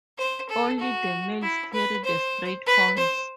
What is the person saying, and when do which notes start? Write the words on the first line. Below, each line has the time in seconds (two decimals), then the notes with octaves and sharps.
Only the males carry the straight horns.
0.18 C5
0.50 A4
0.80 F#4
1.42 E4
1.73 B4
2.04 C5
2.67 B4
2.97 C5